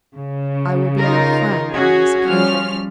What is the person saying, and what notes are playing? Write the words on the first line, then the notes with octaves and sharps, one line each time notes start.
I will be your friend on this occasion.
C#3
D#4 F4 A#4
C#4 F#4 G#4
F3 G3 C#4 F6